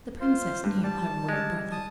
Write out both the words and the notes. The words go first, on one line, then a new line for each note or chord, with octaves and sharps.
The princess knew her royal brother.
F4 C5
G2
G3 A5
G3 G#3
A5 D#6